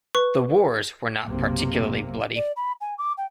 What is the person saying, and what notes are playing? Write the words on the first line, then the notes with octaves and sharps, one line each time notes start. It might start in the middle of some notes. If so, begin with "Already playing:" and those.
The "wars" were not particularly bloody.
B4 C#6
F#1 B1 C3 A#3
D5
B5
G#5
D6
G5